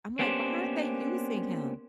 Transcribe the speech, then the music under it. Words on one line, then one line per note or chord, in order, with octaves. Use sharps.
I'm like, "Why aren't they using him?"
A#3 B3 C#4 D4 G4 C5